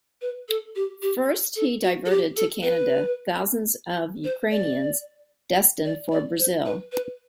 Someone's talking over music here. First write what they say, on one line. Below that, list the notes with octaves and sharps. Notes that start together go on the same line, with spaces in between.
First, he diverted to Canada thousands of Ukrainians destined for Brazil.
B4
A4
G4
G4
A4
F#4
A4
G4
A4
B4
C5
D5
D5
D5
C5
B4
B4